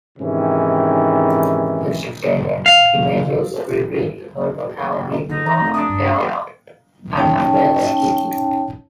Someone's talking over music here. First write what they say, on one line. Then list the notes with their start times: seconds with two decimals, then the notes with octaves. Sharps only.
Extant images reveal her to have been blonde-haired and fair-skinned.
0.18 G#2 C3 D#3 E3 C#4
2.66 F5
5.29 D3 D#4
5.46 E3 A#5
5.60 F3 A3 C4
5.74 D4 D#6
5.89 G2
7.16 C#4 D#4 C#5 G5 A5